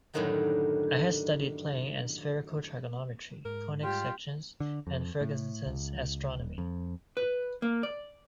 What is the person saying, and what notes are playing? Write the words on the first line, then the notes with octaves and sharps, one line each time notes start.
I had studied plane and spherical trigonometry, conic sections, and Fergusson's "Astronomy".
F#2 A2 D3 D#3 F#3 G3
G#2 A#4
G3 F4 G4
D3
F2
A2
C#2
D#1
F2
B4
A#3
D5